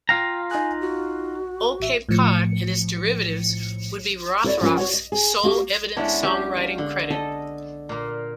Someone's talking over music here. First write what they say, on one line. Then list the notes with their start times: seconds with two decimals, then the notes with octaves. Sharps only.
"Old Cape Cod" and its derivatives would be Rothrock's sole evident songwriting credit.
0.09 F4 F5 G5 A#5
0.51 D#4 G#5 F#6
0.81 F#4
1.80 A1 E5
2.09 A2 F3 C#7
4.44 E4 A4 B4 C#5 D5
4.61 F3 C#4 F4 A#4 C5
4.77 F#4 C#5 F#5
4.94 D#5
5.12 G#4
5.43 A#3 F#4 G4
5.97 G#3 B3 C#4 D4 E4 A4
6.23 C#4 G4
6.57 F5
6.78 D3
7.10 A4 D#5
7.89 A#2 A#3